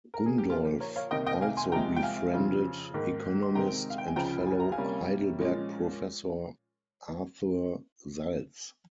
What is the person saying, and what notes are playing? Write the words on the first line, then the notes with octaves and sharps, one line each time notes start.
Gundolf also befriended economist and fellow Heidelberg professor Arthur Salz.
A#4
G#4
G4
A#2 F3 A#3 F4
G4
A#4 C#5
C#5 F5
C2 C3 D#3 A#3 D#5 G5
D#5 G5
F5 G#5
G#5 C6
C2 C3 F3 G#3 G5 A#5
G5
F5 G#5
F2 C#3 F3 C4
G#2 D#3 A#3
C6
C3 D#3 G#3 C4 G5 A#5
F5
G5
G#5
C#2 C#3 F3 G5 A#5
G#5
A#5
F5 G#5
C3 G3 A#3 C#4
A#2 F3 G#3 C#4